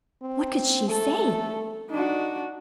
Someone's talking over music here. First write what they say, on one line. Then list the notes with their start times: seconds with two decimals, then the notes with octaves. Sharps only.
What could she say?
0.22 C4
0.89 A3 A4
1.90 D4 D#4 F#4